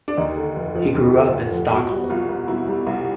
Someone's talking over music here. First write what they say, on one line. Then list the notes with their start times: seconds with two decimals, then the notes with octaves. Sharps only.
He grew up in Stockholm.
0.08 D4
0.17 D#2 D#4
0.37 D3
0.56 F1
0.75 F3
0.94 D#2
1.14 D3
1.33 F1
1.52 F3
1.71 B2 F#4
1.90 G3
2.10 C2 F4
2.28 C2
2.48 B2 E4
2.67 G3
2.86 C2